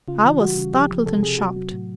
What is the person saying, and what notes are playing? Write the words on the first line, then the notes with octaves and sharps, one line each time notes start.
I was startled and shocked.
C#3 F4
E3
G3 F#4
C#3
F3 G4
F3
C3 A4
C3 G#4
F#3 F#4
F#3
A2